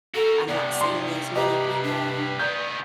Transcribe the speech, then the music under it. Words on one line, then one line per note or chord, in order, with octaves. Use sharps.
I'm not seeing as many people
F#4 A4 A#4
G2 C3 B3 D5
D#4 C6
G4 B4 D#5 A#5
D4
D#3 B3 D5 G6